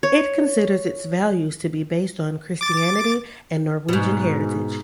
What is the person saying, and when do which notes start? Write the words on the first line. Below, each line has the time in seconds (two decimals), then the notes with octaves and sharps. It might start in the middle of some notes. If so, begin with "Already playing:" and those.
It considers its values to be based on Christianity and Norwegian heritage.
0.03 C#5
2.61 D6 A6
3.89 G#2 B2